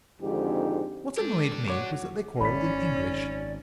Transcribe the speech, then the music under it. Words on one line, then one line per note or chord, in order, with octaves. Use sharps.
What annoyed me was that they quarrelled in English.
G#1 F2 G#2 D3 G4
G#3 D4 G4 A4
F#4 C#5 D6
G#1 C#4 D5 B5 B6